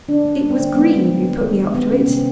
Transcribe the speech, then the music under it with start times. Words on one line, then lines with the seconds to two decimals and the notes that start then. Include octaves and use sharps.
It was Green who put me up to it.
0.09 D3 D4
0.25 A#3
0.41 G3
0.50 C4
0.59 D3
0.75 G#3 B3
0.91 G#3
1.08 D#3
1.24 D#3
1.42 G#3
1.59 G#3
1.74 D#3 B3
1.91 C3 C#4
2.07 C3 C4